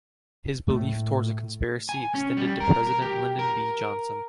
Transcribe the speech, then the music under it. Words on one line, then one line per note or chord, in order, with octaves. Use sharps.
His belief towards a conspiracy extended to President Lyndon B. Johnson.
A2 A3
G#5
C#4
G3
A#4
A#4
G4
A#4